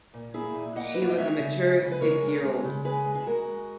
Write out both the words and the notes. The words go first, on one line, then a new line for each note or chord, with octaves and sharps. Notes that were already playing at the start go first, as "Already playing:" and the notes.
She was a mature six-year-old.
A#2
A#3 E4 G#4
A#2
A#3 D#5 F#5
A#3 B4
C#5
D#5
G#3 C#5 E5
C#3
G#3
C#3
B4
G#3 A#4 C#5
G#3
G#3
C#3
G#3 G#4 B4
G#3
G#4
G#3 F#4 A#4
G#3